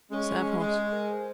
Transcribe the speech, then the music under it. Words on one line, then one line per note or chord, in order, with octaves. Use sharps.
Serve hot.
G#3 C#4
G#3 G#4
G#4
A#4
C5